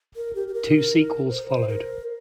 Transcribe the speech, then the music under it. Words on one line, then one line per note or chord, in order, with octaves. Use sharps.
Two sequels followed.
A#4
G4
G4
A#4
C5
C5
A#4